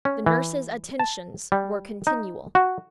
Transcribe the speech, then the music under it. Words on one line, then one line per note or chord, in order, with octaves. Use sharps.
The nurses' attentions were continual.
C#4
E3
A5
G3
D#4
F#4